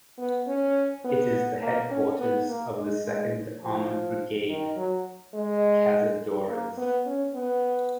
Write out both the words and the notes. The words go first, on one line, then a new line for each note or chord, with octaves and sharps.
It is the headquarters of the Second Armored Brigade ""Cazadores"".
B3
C#4
B3
A#3
C#4
B3
A#3
G#3
G#3
F3
D#3
F#3
G#3
A#3
B3
C#4
B3